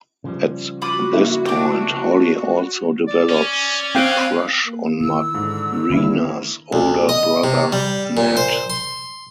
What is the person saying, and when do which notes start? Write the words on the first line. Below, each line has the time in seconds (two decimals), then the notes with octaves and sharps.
At this point, Holly also develops a crush on Marina's older brother Nat.
0.24 C#3 F3 G3
0.82 F4 F#4 B5 D6
1.14 A#3 E4
1.46 D4 G4
3.08 D5
3.29 C#4
3.95 C4 F5 G5 F#6
4.66 A#3
5.01 D#3 E4 E6
5.35 G#2 D3
5.90 E2 D3 D#3 A3 A#3 E4
6.73 D2
7.09 D#5
7.44 C3
7.72 G3
8.17 A#2
8.37 C5
8.70 C6